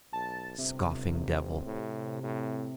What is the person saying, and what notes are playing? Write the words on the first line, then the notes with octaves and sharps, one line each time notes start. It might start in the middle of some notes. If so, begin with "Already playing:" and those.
Scoffing devil!
B1 A5
G1 C3
A2
A2